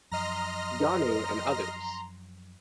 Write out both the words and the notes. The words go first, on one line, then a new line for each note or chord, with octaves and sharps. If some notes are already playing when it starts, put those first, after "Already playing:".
Janu and others.
F#2 F3 D#5 A#5 C6 F6 A#6